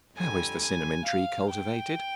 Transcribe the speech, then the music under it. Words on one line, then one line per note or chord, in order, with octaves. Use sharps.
How is the Cinnamon Tree cultivated?
F2 D3 G3 G#5
G#5
F5
G5